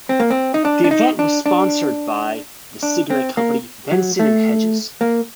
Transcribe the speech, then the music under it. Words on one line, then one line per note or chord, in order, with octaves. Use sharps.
The event was sponsored by the cigarette company Benson and Hedges.
C4
A#3
C4
D#4
D4
D4
D#4
D4
D4
D4
C4
A#3
F#3
A3
A#3